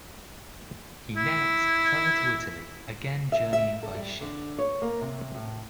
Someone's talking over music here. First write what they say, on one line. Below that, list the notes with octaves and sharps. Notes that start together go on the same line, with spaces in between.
He next travelled to Italy, again journeying by ship.
E4
E5
E5
A4
G3
D3
C#5
A#3
C3
A2